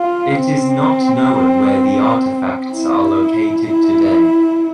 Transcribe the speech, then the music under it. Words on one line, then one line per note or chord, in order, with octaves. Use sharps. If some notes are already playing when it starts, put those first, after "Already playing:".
It is not known where the artifacts are located today.
Already playing: F4
C4
E4
E4